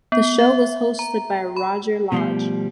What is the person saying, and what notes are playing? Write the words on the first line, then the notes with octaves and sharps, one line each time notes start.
The show was hosted by Roger Lodge.
B3
E5
A#5
B5
B2 F3 G3 A3 C6